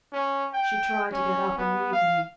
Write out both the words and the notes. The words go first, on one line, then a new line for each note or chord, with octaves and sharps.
She tried to get up and leave me.
C#4
G5
C#4
B3
F5